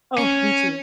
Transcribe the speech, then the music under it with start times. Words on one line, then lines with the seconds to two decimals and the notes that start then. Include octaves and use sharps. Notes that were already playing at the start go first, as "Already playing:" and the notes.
Oh, me too.
0.18 C#4